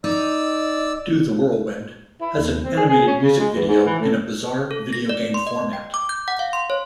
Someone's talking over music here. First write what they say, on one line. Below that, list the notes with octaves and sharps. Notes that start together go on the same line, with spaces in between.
"Do the Whirlwind" has an animated music video in a bizarre video game format.
D#4 D5 E6
E4
D#2
C4
G#4
G#4
C#4
C#3
G#3
E2
G#2
E3
A2
A4
A#6
D5
C6
D#5
G5
D6
G6
F#5
F5
C6
C#5